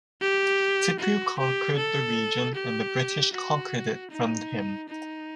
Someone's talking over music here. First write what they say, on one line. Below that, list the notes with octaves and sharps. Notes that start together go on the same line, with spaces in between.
Tipu conquered the region and the British conquered it from him.
G4
F#4
G4
A4
G4
F#4
D#4
D#4